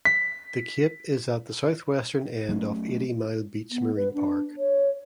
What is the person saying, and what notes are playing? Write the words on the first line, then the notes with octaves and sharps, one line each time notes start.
The cape is at the southwestern end of Eighty Mile Beach Marine Park.
B6
F#3 A3 A#3 C#4
B3
B4
D4
C#5